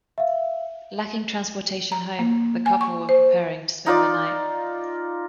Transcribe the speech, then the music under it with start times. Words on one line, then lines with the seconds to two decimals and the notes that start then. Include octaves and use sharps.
Lacking transportation home, the couple were preparing to spend the night.
0.18 E5 F5
1.92 A#5
2.19 A#3
2.66 G#5
2.81 C#6
3.09 C5
3.86 D#4 F4 D5